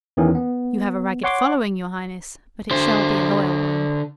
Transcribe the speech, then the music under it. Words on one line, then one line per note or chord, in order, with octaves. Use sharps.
You have a ragged following, your highness, but it shall be a loyal one.
E2 D#3 E3 C#4
B3
C#5 F#5 C6 D6
D3 C5